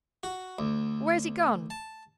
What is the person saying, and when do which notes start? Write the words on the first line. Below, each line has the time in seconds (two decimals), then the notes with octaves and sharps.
Where's he gone?
0.23 F#4
0.59 D2
1.70 A5